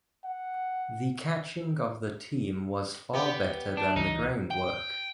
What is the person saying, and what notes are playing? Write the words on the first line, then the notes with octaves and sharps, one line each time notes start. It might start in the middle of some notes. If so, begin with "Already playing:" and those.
The catching of the team was far better than the ground work.
F#5
B3 G4
D4
C#2 E3 D#4
G5